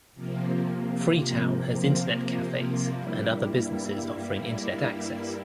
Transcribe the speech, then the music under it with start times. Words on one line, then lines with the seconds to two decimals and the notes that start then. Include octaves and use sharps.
Freetown has Internet cafes and other businesses offering Internet access.
0.15 C3 F3 A#3
2.88 G2 G3 A#3 E4